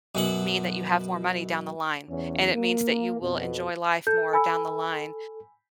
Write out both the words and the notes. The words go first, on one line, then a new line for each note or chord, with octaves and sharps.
mean that you have more money down the line, and it means that you will enjoy life more down the line,
F#2 B2 F#5
E2 C#4
A#3
F2 B2
A4 G6
G#5 B5 E6